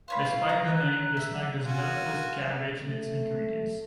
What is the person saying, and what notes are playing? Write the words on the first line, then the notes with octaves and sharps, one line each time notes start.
Despite the name, the snack does not list cabbage in its ingredients.
C5 C#5 F5 B5
E4
A#5
F#6
E5
F4 F#4 G#5
A3